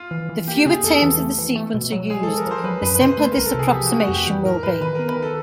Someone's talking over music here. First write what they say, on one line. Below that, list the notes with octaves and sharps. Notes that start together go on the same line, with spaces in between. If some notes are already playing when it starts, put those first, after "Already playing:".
The fewer terms of the sequence are used, the simpler this approximation will be.
Already playing: F4
E3
E3
A#3 G4
C#3 G#4
E2 A4
E3
A3
E3
A3
B2
F#3
G#3 G#4
A4
F3
A#4
F3 C5
F#3 B4
F#2 B4
B4
C#3 C5
A3 B4
A#4
C2
A4
C3 G#4
F3 G4
F#4
A3
F#4
F2 G4
E3
A2 A#4
E3 B4
D#3 B4
B3 A#4
B4
D#3
A4